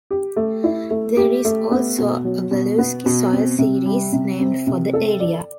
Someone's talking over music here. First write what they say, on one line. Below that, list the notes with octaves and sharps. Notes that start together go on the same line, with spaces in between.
There is also a Walluski soil series named for the area.
G4
A3
E4
A3
G4
A3
B3
B2
F#3
B2
B3
B2
C4
C3
G3
C3
C4
C3
A4
D5